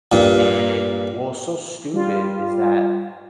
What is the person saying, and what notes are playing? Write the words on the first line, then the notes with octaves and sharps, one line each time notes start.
And what was so stupid is that.
G2 A#2
G3 F4